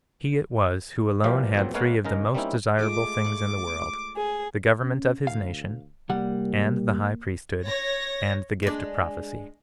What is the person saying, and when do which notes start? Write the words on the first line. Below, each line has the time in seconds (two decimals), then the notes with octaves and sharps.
He it was who alone had three of the most desirable things in the world,--the government of his nation, and the high priesthood, and the gift of prophecy.
1.24 E3 F3 G3 A#3 G4 F5
1.54 E2 A#2 F#3 C4
1.74 G#3 A#3 B3 C#5 F5 F#5
2.04 C#3 G#3 D#4 A#4
2.35 G3 A#3 C4 C#4 D#4 E4
2.79 G#3 A3 F4 D6
3.25 D5 C#6
4.17 G#4
4.83 C#4
5.27 D2 F5
6.09 C2 G3 A#3 F#5
7.63 C#5 A#6
8.63 G#3 D4